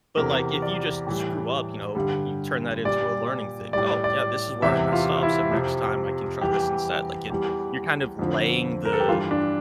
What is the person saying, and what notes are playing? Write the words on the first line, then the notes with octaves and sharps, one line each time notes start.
But, like, if you just screw up, you know, you turn that into a learning thing. Oh, yeah, this is where I messed up, so, next time I can try this instead. Like, it you're kind of laying the,
E2 C3 E3 A#4
D5
A2 E3 G3
G2 D3 G3
A#2 G3 D5
A2 G3 D5
D5
E2 C3 E3 E5
F4
E4
F2 C3 F3
E2 E3 G3 G4
E2 E3 G3
F2 D3 F3
A#4
A4
G4
G2 E3 G3 F4
D4